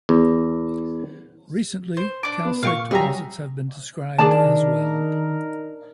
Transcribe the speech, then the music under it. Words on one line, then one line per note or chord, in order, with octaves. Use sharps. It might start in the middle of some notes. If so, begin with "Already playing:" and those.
Recently, calcite deposits have been described as well.
E2
C5
D4 D6
B3
A#2 F5 G5 C#6
F#3 G3 G4 G#4 E5 A#5
D#3 D4 D#4 G#4 A#4 D5 A5